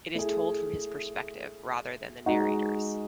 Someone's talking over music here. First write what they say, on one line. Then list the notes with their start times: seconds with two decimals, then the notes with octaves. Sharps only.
It is told from his perspective rather than the narrator's.
0.15 A3 E4 G#4
2.26 G#3 D#4 F#4